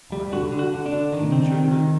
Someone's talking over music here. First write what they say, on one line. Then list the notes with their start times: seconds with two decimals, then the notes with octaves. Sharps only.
Wine. Cane sugar.
0.12 G3
0.32 D3 F#4
0.52 D3
0.59 F#4
0.72 D3
0.86 D4
0.92 D3
1.12 D#3
1.32 C4
1.52 D#3
1.72 D#3